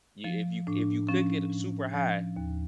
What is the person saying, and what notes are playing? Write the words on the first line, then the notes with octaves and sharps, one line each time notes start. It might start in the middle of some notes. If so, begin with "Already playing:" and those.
You if you c if you cook it super high,
F3
A2 D4
F3 C#4
A2
F3
D#2